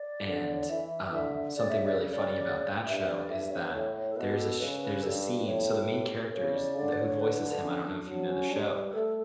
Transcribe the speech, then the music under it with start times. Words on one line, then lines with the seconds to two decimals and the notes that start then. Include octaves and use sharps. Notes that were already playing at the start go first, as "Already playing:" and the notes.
and, um, something really funny about that show is that there's a sh there's a scene so the main characters th who voices him, I don't know if you know the show,
Already playing: D5
0.26 D3
0.53 C#5
0.61 D5
0.69 E3 E5
1.13 D3 E5
1.56 C#3 D5
1.70 E5
1.85 D5
1.99 C#5
2.13 D5
2.86 G2 E5
2.99 E5
3.08 D5
3.30 G2 E5
3.51 C#5
3.59 B4
3.65 C#5
3.73 A2
4.10 A4
4.16 B2 B4
4.33 G4
4.38 A4
4.59 C#3 B4
4.82 B4
5.03 G2 A4
5.25 B4
5.37 B4
5.46 A2 C#5
5.68 B4
5.90 B4
6.01 G4
6.12 G4
6.22 B4
6.33 C#3 C#5
6.55 D5
6.76 D3 D5
6.93 B4
6.98 C#5
7.20 B4
7.41 B4
7.52 D4
7.63 C#4
7.85 D4
8.06 F#3 D4
8.28 C#4
8.50 G3 D4
8.63 C#5
8.71 B4
8.89 B4
8.93 A3 A4